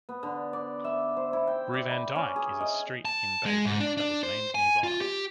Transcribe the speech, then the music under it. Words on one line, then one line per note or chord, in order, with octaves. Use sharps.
Rue Van Dyck is a street in Beirut that was named in his honor.
B3
D3
D5
E5
C5
E4
G5
D5
B5
C#4
G#4
D#5
A5
G#3
G#2
D4
D4
C5
G#5
F4
G4